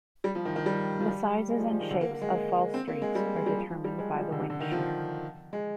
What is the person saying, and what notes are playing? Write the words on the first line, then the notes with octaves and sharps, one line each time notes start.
The sizes and shapes of fall streaks are determined by the wind shear.
G3
F3
D#3
D#3
G3
F3
G3
G#3
F3
F3
D#3
D3
A#3
A#3
G#3
A#3
C4
A#3
G#3
G3
A#3
G#3
G3
F3
F3
G3
G#3
F3
G3
D3
C3
D3
D#3
F3
G#3